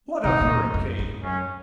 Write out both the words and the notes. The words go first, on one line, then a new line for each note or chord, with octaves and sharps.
What a hurricane!
C3 D#4
A#2
F#2
F#2
G#2
F#2 C#4